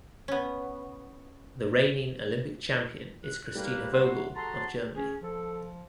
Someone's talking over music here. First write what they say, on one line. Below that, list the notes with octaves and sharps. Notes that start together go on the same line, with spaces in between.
The reigning Olympic champion is Kristina Vogel of Germany.
B3 C#4
F#6
G3 A#3 B4
E4 A#4 C#5 F#5 C6
F#4 G#4 A4 A5 A#5 C6
C#4 G#4
F3 A4